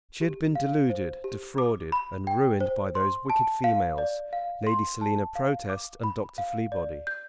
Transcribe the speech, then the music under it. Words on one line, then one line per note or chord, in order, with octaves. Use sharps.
She had been deluded, defrauded, and ruined by those wicked females, Lady Selina Protest and Dr. Fleabody.
G4
F5
C5
G4
D6
B5
G5
C5
C6
A5
F5
D5
F5
C6
A5
F5
D6
B5
F5
D5
G6